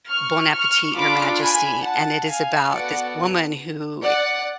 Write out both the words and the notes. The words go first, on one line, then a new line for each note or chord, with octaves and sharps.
Bon Appetit, Your Majesty, and it is about this woman who
C#6 F6
C#6 F6
D4 F4 A4 B5 D6
G#5 B5
F#5 A5
F5 G#5
B3 F#4 A4 D5 F#5
D5 F#5